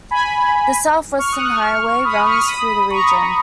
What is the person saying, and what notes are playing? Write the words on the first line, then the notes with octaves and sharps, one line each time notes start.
The South Western Highway runs through the region.
G#5 B5
C#6 F6
D#6 F#6
C#6 F6
C#6 F6
B5 D#6
C#6 F6
B5 D#6
A#5 C#6